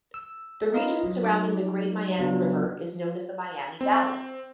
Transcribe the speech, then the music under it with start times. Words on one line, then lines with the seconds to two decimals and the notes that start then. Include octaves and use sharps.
The region surrounding the Great Miami River is known as the Miami Valley.
0.14 E6
0.74 D#4 F4 A#4 B4 D#5 F5
1.05 F#3
1.23 F#3 D#4 D6
2.19 C#3 F#3 B3 D4 F4
3.81 C4